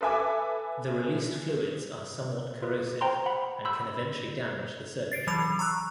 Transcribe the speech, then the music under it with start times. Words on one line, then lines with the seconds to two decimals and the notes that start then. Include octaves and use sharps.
The released fluids are somewhat corrosive and can eventually damage the circuitry.
0.01 A4 B4 E5 G#5 D6
2.62 F4 B4
3.01 C5 G5 A#5 C6
3.26 F#5 B5
3.65 B5 C6 E6 G6
5.12 A6 C7 D7
5.27 E3 F#3 B5 F7
5.59 A#5 C#6 E6 F#6